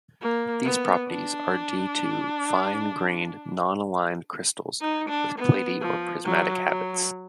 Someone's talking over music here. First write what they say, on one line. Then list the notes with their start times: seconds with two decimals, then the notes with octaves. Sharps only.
These properties are due to fine grained non-aligned crystals with platy or prismatic habits.
0.21 A#3
0.64 B3
1.08 D4
4.81 D#4
5.09 D4
5.38 B3
5.81 F3
6.25 F#3
6.67 F#3